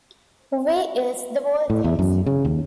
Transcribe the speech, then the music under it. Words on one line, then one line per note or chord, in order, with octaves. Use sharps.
V is the voltage.
A2
E2
F#2
C#3
D#2